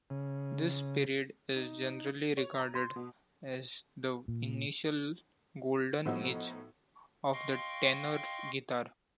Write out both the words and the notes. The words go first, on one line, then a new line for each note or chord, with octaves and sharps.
This period is generally regarded as the initial "golden age" of the tenor guitar.
C#3
D#4
C#5
A#5
C6
B2
A#2
A2 F3 B3 D#4 F#4 E6
D#5 F5 G5 C6 C#6